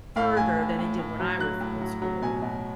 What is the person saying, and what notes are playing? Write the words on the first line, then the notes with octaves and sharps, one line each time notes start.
further than they did when I was in school.
A2 F5
A2 G#5
A2
A2
A2
F#3
F#3 F#6
A2
F#3
F#3
B2 G#5
B2